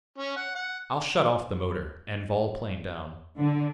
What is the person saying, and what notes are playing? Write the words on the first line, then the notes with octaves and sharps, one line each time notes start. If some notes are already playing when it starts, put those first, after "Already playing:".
"I'll shut off the motor, and vol-plane down."
C#4
F#5
F#5
D3